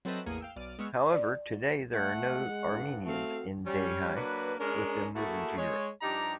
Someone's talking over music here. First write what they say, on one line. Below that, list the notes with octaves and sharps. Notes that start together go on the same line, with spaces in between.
However, Today there are no Armenians in Dehi, with them moving to Europe.
F#3 C4 A4 B4 D#5 E5
A1 E2 A#3 G#4 C#7 D#7
F5 G5 E6
B1 D5 F6 D#7
G#3 B3 C#6 E6 F6 C#7
D5
A3 F#5
G#3
G2
A3 C4 F#4 A4 F5
G3 C#4
F#3 A#3 D4 B4
G#3 C#4 D4 A#4
A3 A#3 E4 F#4 G#4 A4
G#3 C#5
G2 F3 D#4 G4 D5 A#5